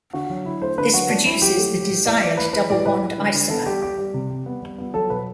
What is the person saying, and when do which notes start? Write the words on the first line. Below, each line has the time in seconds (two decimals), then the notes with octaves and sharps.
This produces the desired double bond isomer.
0.13 D3 F#4
0.30 F#3
0.45 D3 E4
0.62 A3 C5
0.78 D3 B4
0.94 F#3 F#4
1.09 F#3 D4
1.25 F#3 E4
1.42 F#3 G4
1.58 A3
1.74 F#3
1.90 A2
2.05 A2 D5
2.22 E3 D5
2.37 E3 B4
2.53 E3 B4
2.70 A2 D5
2.86 A2 B4
3.02 G3
3.18 D3
3.34 D3
3.50 B3 A4
3.66 G3 G4
3.82 G3 G4
3.98 G3
4.14 C3
4.30 G3
4.46 B3
4.62 G3
4.78 B3
4.94 F#3 A4
5.10 B2 B4